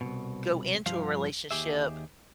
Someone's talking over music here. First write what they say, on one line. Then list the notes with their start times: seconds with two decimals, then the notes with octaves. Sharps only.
go into a relationship,
0.01 C2 F2 B2
0.86 C2 G2 F3 G4 F5
1.51 D#2 G4 G#4 E5